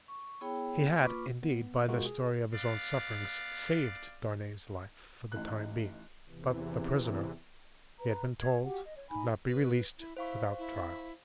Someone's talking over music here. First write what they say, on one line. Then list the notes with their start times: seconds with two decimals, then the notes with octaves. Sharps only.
He had, indeed, by the story of his own sufferings, saved Darnay's life for the time being, but the prisoner, he had been told, could not be released without trial.
0.08 C#6
0.41 B3 E4 G#4 C#5 G5 B5
0.99 A#3 F4 B4 B5 C#6 D6
1.43 B3
1.88 B2 G#3 F4 F#4 A#4
2.05 G#4
2.54 B3 D5 F5
5.32 A1 E3 D#4 F#6
6.28 E2 C3 E3
7.98 B4 A#5
8.40 G#6
8.63 F#4 G4 F#5
8.83 D#5
8.96 C#5
9.09 D#4 G#5 B5
9.47 B4
9.99 E4
10.17 E4 C5 F5 C#6
10.58 E4